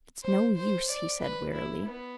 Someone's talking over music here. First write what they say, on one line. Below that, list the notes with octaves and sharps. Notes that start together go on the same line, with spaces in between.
"It's no use," he said wearily.
C5
C5
D5
B4
E4
B3